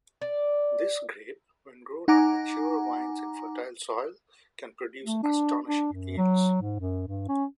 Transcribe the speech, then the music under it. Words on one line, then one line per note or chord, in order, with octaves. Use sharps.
This grape, when grown on mature vines in fertile soil, can produce astonishing yields.
D5
D#4 F#5 G#5 A#5 D6
A3
D4
D4
F#2
F#3
G#2
F#2
G2
C#4